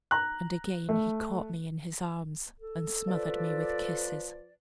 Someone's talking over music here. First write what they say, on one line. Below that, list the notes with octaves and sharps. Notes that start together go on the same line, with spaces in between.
And again he caught me in his arms, and smothered me with kisses.
A#5 F#6
A3
A4
F3 B4 D5